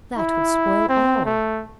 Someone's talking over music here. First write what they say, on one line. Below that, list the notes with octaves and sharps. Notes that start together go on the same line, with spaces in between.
'That would spoil all.
E4
C4
A3